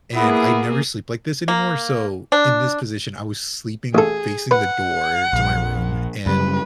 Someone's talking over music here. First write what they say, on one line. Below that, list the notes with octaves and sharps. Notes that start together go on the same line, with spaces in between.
and I never sleep like this anymore, so in this position, I was sleeping facing the door to my room, and
A#3 B3 E4 G#4
A#3
D4
A1 G#4 A4
B4 F#5
A#1
F#2 C#3 G3 B4